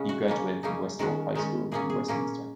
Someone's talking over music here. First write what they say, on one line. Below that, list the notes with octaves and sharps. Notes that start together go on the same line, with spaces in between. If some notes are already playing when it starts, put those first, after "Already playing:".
He graduated from West-Oak High School in Westminster.
Already playing: C#3 G#3 C#4
F#4
C#3 A#3 C#4
C#3 A#3 C#4 D#4
D#3 G#3 C#4 F#4
D#3 G#3 C#4
A#2 A#3 C#4 G#4
G#4
A#2 A#3 C#4